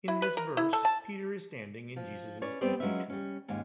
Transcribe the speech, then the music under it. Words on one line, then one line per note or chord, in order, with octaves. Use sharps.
In this verse, Peter is standing in Jesus's empty tomb.
E4
B4
A#4
E4
A4
A5
F3
C#4 B4 C#5 D5
G3 B3 C4 G4 C5 D5
F#3 G#3 C#4 F4 B4 E5
G3 C#4
D#2 G#2 C#4